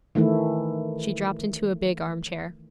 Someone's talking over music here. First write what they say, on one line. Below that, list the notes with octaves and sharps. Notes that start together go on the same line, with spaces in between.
She dropped into a big arm-chair.
D#3 E3 A3 E4